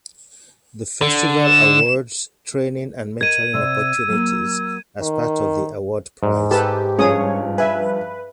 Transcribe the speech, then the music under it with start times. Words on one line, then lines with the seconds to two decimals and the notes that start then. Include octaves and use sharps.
The festival awards training and mentoring opportunities as part of the award prize.
1.02 D3
1.46 E7
3.21 A#4 D#5 G#6 D#7
3.54 C3 C4 D5 E6
4.09 F#3 A#3
5.02 D#3
6.23 G#2
6.51 G4 A4 B4 A5
6.99 G2 F3 C#4 G#4 C#5 D#6
7.58 B4 E5 G#5